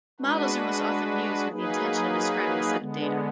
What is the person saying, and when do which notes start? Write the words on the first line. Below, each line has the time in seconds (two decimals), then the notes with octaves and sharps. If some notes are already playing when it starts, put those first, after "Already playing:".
Models are most often used with the intention of describing a set of data.
0.20 G#3 D4 F#4 B4
1.48 F#3 A#3 D#4 G#4 B4
2.77 D3 G#3 B3